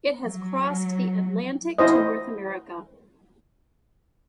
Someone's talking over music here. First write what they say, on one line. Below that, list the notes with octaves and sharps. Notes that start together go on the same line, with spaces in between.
It has crossed the Atlantic to North America.
F#3
E4 C5 D#5